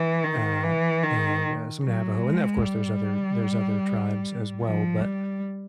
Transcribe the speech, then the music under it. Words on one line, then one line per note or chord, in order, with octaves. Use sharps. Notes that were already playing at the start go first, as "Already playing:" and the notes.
uh, and, uh, some Navajo, and then of course there's other there's other tribes as well, but,
Already playing: E3
D#3
E3
D#3
F#3
G#3
G3
F3
G3